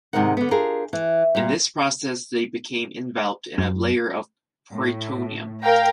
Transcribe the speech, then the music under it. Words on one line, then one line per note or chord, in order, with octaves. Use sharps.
In this process they become enveloped in a layer of peritoneum.
G#2 C3 D#3 G#3 A#4 F#5
D3 B3
D4 F4 G4 G#4 A#4
E3
A#2 G3
F#2
A2
A#4 F5 G5 A#5